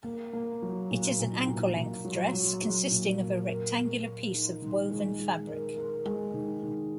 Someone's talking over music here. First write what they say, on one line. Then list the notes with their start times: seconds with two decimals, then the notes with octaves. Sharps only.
It is an ankle-length dress consisting of a rectangular piece of woven fabric.
0.04 A#3
0.33 A#3
0.62 F#3
0.91 A#2
1.19 A#2
1.48 A#2
1.77 A#2
2.05 F#3
2.34 F#3
2.63 F#3
2.91 A#2
3.20 A#3
3.48 A#4
3.76 A#4
4.05 A#4
4.34 D#4
4.62 D#3
4.91 G#3
5.19 G#3
5.48 A#4
5.77 A#4
6.05 G#3
6.34 D#3
6.63 D#3